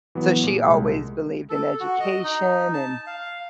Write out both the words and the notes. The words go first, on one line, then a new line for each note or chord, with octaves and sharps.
So she always believed in education and
E3 F#3 B3
A#2 G#4
C2 G#3
A4
F#4
D#5
D#4
A5
F5